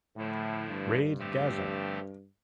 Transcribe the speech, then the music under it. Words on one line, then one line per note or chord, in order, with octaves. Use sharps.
Raid Gaza!
A2 D3 F3 A3 E4
G2
D3 F3 A3 C4 G4